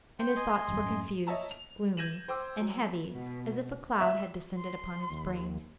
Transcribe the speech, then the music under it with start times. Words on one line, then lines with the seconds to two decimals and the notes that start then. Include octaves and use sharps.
And his thoughts were confused, gloomy, and heavy as if a cloud had descended upon his brain.
0.19 C5 G5
0.36 D#5 G#5 C6
0.68 G#1 F#2 G3
0.82 F#2 A2 C#4
1.27 C#5 D#5 E5 A5 A#5
1.51 F7
1.97 G6 G#6 A#6 D#7 E7 F#7
2.28 C5 G5 D6 E6
2.60 F#3
3.14 B2
4.01 E5
4.58 C6
5.10 D#2